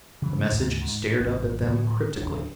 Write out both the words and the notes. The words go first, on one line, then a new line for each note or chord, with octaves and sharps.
The message stared up at them cryptically.
C#3 E3 F3 G3
D2 G#2 C#3
G#2
G#1 G2
D1 A2 D3 F3
D1 G#1 C#3 D4